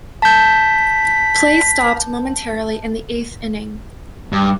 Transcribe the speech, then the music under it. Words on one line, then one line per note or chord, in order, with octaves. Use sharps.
Play stopped momentarily in the eighth inning.
A5 G6 B6
G2